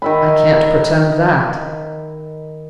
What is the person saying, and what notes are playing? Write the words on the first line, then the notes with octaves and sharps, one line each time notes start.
"I can't pretend that."
D#3 E5 B5